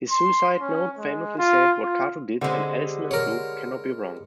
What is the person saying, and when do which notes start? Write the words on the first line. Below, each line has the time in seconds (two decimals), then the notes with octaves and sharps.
His suicide note famously said: What Cato did, and Addison approved, cannot be wrong.
0.10 C6
0.61 C#4
0.98 G#3
1.38 F4
1.82 F4
2.41 D3 G3 G#3 C4
3.11 A#4 C#5